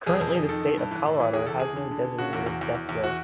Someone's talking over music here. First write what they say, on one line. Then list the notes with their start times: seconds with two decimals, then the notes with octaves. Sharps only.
Currently, the state of Colorado has no designated death row.
0.06 F2 G#4
0.21 F2
0.35 F2
0.49 D#3 A4
0.63 D#3
0.77 G2
0.91 E3
1.06 A2
1.20 E3
1.33 E2 G#4
1.46 E2 A4
1.60 E2 G#4
1.76 D3
1.91 D3
2.05 D3
2.19 C#3 F#4
2.33 E2
2.46 E2
2.61 E2
2.75 E2
2.89 E2
3.04 F#4